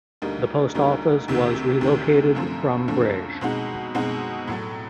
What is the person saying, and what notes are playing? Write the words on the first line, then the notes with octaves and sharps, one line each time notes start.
The post office was relocated from Breage.
D2 D3 G3 A#3 D#4
D2 D3 G3 A#3 D#4
D2 C3 D#3
D2 C3 D#3
F#2 D3 F3 A3 C4
F#2 D3 F3 A3 C4
B2 G#3 C4 D#4 F#4
B2 G#3 C4 D#4 F#4
A2 F#3 A3